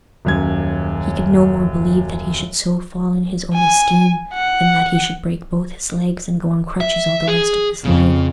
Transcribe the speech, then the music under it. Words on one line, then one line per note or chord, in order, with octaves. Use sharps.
He could no more believe that he should so fall in his own esteem than that he should break both his legs and go on crutches all the rest of his life.
D#1 F#2 G#6
G#5
F#5
E5
G#4
F2 C#3